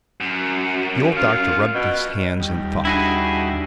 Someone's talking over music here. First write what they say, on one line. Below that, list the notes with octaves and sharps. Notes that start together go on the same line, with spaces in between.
The old doctor rubbed his hands in thought.
F#2
F4
B2
D#2 G3
D4 E4 F#4 G#4 B5 D7